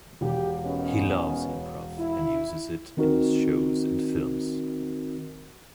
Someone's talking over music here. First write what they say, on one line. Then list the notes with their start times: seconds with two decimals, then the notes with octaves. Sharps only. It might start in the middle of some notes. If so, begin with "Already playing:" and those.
He loves Improv, and uses it in his shows and films.
0.21 E1 G4
0.66 D#3 B3 C#4
1.99 E4
2.97 D#3 C4 D#4 F#4 A#4